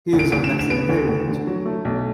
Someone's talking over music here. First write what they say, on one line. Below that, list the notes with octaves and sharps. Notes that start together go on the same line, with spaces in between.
He is of Mexican heritage.
D2
D7
D2 D7
E7
D3
E7
B3 D7
D2
D2
D3
F#3
A3
B1